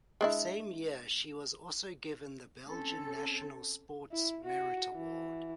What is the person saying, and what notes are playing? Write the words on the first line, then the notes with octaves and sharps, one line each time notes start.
The same year she was also given the Belgian National Sports Merit Award.
G#3 D4 E4
C4 C#4 A4
E4
F#4
E3